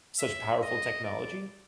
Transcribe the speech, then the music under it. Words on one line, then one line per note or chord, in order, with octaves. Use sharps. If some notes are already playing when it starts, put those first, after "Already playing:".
such powerful technology
E5
D#5
D5